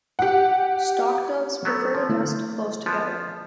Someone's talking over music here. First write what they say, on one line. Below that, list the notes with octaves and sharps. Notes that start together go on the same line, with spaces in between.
Stock doves prefer to nest close together.
G4 F#5
F#3 A3 B3
F3
D3 A3 E4
F3 B3